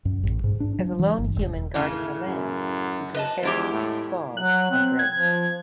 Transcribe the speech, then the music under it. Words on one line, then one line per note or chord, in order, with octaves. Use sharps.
As a lone human guarding the land, he grew hairy, clawed and gray.
F#2
A1
G#2
D4
F#3
E3
G1
E1
A2 C#3 E3
F#2
B4 D#5 A5
E2 G#3 E4 G4
A2
F#3 F#6
C4
G#6
F3